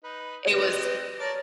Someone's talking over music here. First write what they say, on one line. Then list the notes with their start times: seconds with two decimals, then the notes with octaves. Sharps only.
it was
0.04 D#4 B4
0.50 C4 B4 D#5
1.20 A#4 C#5 D5 A5